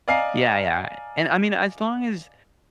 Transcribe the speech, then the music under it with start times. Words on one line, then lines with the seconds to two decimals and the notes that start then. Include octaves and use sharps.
Yeah, yeah. And, I mean, as long as
0.08 D5 D#5 F5 G#5 A#5 C7